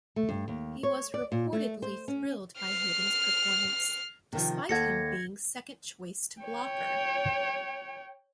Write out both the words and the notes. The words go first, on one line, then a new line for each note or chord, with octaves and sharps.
He was reportedly thrilled by Hayden's performance, despite him being second choice to Blocker.
A3
G2
D#2
C#5
D5
A#2
A3
C5
C#4
F6 C7
C3 D#3 F3
D#2 A4 F#5 G#6 A#6 C#7
C#5 G5